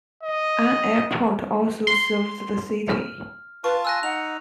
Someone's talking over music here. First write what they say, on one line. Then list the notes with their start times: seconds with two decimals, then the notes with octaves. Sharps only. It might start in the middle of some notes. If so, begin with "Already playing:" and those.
An airport also serves the city.
0.23 D#5
1.87 C6
2.90 F6
3.64 F4 B4 F5 A5 C#6
3.85 G#5 E6 F#6 A#6
4.03 D#4 F#5 F7